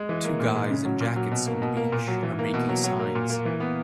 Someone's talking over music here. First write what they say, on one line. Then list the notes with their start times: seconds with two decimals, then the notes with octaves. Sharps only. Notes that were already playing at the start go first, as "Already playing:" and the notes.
Two guys in jackets on the beach are making signs.
Already playing: G#3
0.09 E3
0.24 A#3
0.40 A#2
0.55 G#3
0.70 C#3
0.85 F#3
1.00 A#2
1.16 F#3
1.31 B2
1.47 A#3
1.62 B2
1.77 A#3
1.92 A#2
2.08 F#3
2.23 E3
2.39 A#3
2.54 B2
2.69 F#3
2.84 F#3
2.99 A#3
3.15 A#2
3.30 A#3
3.45 E3
3.60 B3